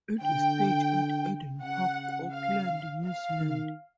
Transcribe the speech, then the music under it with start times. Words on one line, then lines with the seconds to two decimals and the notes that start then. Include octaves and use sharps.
It is staged at Eden Park, Auckland, New Zealand.
0.22 D3 G5
1.63 C#3 F#5
2.34 F5
3.05 F5
3.40 D#3